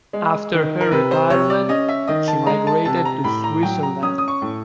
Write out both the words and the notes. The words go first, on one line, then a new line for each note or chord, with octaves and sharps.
After her retirement she migrated to Switzerland.
G#3
D#3
A#4
C3 B4
C5
C3 C#5
D5
C#4 D#5
E5
D#3 D#5
A5
G#3 A#5
A5
C3 A5
A5
A#5
A2 B5
A#5
F#3 G5
A#5
C#4 D#6
D#6
C#6
A2